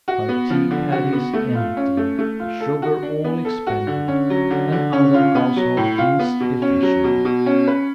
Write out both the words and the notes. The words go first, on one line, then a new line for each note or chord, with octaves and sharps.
Her tea-caddy is empty, the sugar all expended, and other household things deficient.
F#4
B3
F3
D3
F#4
B3
A3
F4
C#4
A3
A3
F4
A4
F#4
D4
B3
A4
F#4
D3
C#4
F#3
D3
D3
C#4
F4
B3
F#3
A2
F4
B3
B2
C#4
F#3
B2
B2
C#4
B4